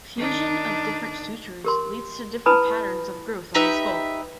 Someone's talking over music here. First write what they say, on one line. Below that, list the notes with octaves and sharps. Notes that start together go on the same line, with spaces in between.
Fusion of different sutures leads to different patterns of growth on the skull.
D#3 D4
G4 A#4 C6
E4 B4 G#5 A5 B5 D#6
D#4 G4 B4 E5